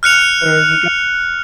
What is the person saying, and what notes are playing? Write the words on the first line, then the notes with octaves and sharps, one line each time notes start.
There you go
F6 F#6 C#7 F7